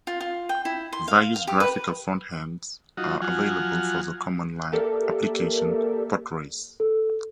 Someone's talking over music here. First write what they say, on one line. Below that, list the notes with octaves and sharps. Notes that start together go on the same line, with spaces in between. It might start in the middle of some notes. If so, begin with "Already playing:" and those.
Various graphical frontends are available for the command-line application Potrace.
F4
F4
G5
E4
C6
F5
F5
G4
B4
F#3 D#4 F4 F#4
F3 F#3 F#5 G#5 F6
A#3 G4 A4 A#4 D5 E5
A4